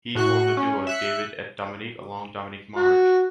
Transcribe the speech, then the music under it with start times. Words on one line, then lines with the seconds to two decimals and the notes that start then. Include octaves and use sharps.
He formed the duo David et Dominique alongside Dominique Marge.
0.15 A2 F#4 C#6 F#6
0.57 C#4
0.87 E5 F#6 C#7
2.76 F#4